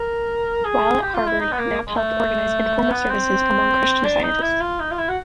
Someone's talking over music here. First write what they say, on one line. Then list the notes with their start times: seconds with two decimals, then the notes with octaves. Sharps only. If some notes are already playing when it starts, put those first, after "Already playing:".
While at Harvard, Knapp helped organize informal services among Christian Scientists.
Already playing: A#4
0.65 G#4
1.02 G4
1.14 F4
1.27 E4
1.40 D#4
1.52 B3
1.58 A#3
1.87 G#3
1.96 A3
2.91 B3
3.09 C4
4.04 D4
4.23 D#4
4.42 E4
4.61 F4
4.80 D#4
4.91 F4
4.98 E4
5.08 F#4